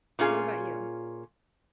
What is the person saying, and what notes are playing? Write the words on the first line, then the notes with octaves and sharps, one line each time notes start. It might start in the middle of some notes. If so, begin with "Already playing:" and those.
What about you?
A#2 C#4 F4 G#4